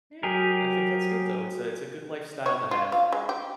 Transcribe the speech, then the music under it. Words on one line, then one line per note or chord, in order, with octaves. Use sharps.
Yeah. I think that's good, though, it's a it's a good lifestyle to have.
F#3 G4 G#4 A#4
C#5
F4
F5
G#3
G4